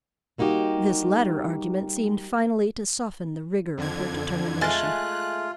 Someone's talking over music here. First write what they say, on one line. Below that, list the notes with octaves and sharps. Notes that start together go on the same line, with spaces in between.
This latter argument seemed finally to soften the rigor of her determination.
G3 A#3 D#4 F#4 G4
F2 D3 G#6
G#3 A3 F4 E5 G#5 F#6 A6